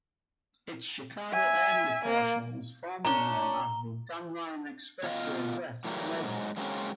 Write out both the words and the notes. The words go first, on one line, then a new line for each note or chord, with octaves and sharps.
Its Chicago-area portion was formerly known as the Dan Ryan Expressway-West Leg.
E5 G#5
A#3
A#2 C#4 D4 A#5 G7
B2 F4 G4 D#5 F5
A2 E3 F#3 G3 A#3
G#2 F#3
F#3 G#3 A#3 C4 C#4